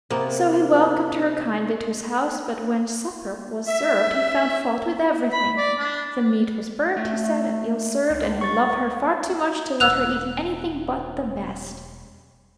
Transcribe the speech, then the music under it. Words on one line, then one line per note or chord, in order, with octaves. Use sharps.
So he welcomed her kindly to his house, but when supper was served he found fault with everything--the meat was burnt, he said, and ill-served, and he loved her far too much to let her eat anything but the best.
C3 A#3 B3 C5
E5
B5
D5
D4
A3
C#2
C#6 A6
E1 E6 F#6 F7